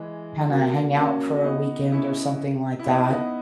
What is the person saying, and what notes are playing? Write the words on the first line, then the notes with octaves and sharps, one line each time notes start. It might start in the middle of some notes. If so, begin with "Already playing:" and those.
kinda hang out for a weekend or something like that,
Already playing: E3 G#3
F#3 A#3
A#3 C#4
C#4
B3 D#4
C#4 E4
E4
B3 D#4
B3 D#4